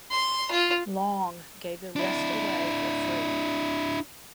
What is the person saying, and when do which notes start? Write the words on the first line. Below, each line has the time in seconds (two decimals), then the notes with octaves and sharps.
Long gave the rest away for free.
0.11 C6
0.51 F4
1.96 D4 E4